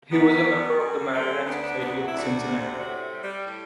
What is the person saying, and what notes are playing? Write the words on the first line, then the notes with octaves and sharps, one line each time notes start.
He was a member of the Maryland Society of the Cincinnati.
F#2 G3 B3
G3
F#2
D3 A3 C4
D2 B3 D4
B3 D4
F#3 B3 D4
F#4
E4
D2
D4 F#4
C3
A2 D4 F#4
G3
G3
A2 G3